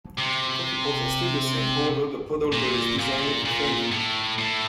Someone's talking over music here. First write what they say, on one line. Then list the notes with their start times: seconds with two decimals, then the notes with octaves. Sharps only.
The coffee pods are still the same, however the pod holder is designed differently.
0.19 C3
2.53 A#2
2.99 A#2
3.45 A#2
3.92 A2
4.39 A2